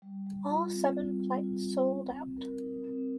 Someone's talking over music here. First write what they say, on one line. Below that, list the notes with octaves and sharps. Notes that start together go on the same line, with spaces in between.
All seven flights sold out.
G3
G3
F4
C4
G3
G3
F4
C4
C4
C4
A#4
D#4
C4